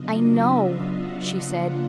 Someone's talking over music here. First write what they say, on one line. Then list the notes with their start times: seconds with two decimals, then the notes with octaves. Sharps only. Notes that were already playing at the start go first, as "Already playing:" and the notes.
"I know," she said.
Already playing: C#3 F#3 B3 D4 F4 D#5
0.25 E5
0.62 F5
0.98 F#5
1.34 C#3 F3 A#3 D4 F4